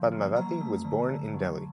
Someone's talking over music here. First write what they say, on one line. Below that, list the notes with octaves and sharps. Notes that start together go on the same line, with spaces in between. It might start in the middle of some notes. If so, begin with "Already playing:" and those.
Padmavati was born in Delhi.
Already playing: D3 F3 A#3
A#3
F#3 A#5
A3
D3
D3
F#3